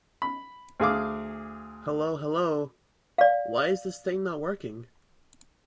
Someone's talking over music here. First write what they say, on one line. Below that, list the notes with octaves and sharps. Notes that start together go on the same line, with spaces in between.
Hello hello. Why is this thing not working?
B5
D2 G#4 F5 D6
D5 F5